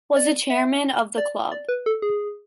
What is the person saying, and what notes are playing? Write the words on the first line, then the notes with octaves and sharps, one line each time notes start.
Was a chairman of the club.
D5
E5
D5
D5
B4
A4
G#4